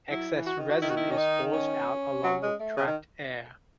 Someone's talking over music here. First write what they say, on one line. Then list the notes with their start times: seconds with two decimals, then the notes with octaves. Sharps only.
Excess resin is forced out along with trapped air.
0.10 F#3 E4
0.34 E3
0.46 F#4
0.58 D#3
0.69 F#4
0.82 D#3 E4
0.90 F#4
0.97 E4
1.11 C#4
1.18 D#4
1.53 C#4
2.24 F#3
2.43 G#3
2.60 A3
2.77 C#3
2.87 D#3